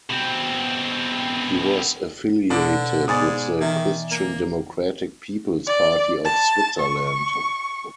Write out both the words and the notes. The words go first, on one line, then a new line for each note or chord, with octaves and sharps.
He was affiliated with the Christian Democratic People's Party of Switzerland.
B2 C4
B2 D3 D4 D6
G#2 B3 D5 G#5 D#6 A6
D#3 E3 E5
A#3
D5
A5
C#6